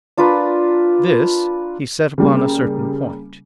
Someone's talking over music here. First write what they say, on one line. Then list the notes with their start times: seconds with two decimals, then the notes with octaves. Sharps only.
This he set upon a certain point.
0.17 D4 F4 A#4 B4
2.18 C#3 G3 A#3